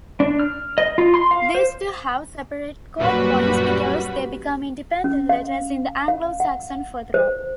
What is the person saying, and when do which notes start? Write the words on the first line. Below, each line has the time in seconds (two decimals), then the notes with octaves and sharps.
These two have separate codepoints because they become independent letters in the Anglo-Saxon futhorc.
0.20 D4
0.40 F6
0.78 D#5
0.98 F4
1.14 C6
1.31 F5
1.55 C5
2.99 F#2 A#2 G3 F#4 B4 B5
5.04 C#4
5.29 F5
6.08 F5
6.40 F#5
7.14 C5